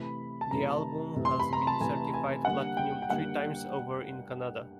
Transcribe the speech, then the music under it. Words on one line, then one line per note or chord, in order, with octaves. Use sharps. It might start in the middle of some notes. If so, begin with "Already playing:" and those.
The album has been certified platinum three times over in Canada.
Already playing: C3 E3 A3 B5
A5
C3 E3 A3 A#5
C3 E3 A3
C6
B5
A#5
A5
C3 E3 A3 G#5
G#5
D3 G3 A#3 F#5
G5
G5
D3 G3 A#3 F#5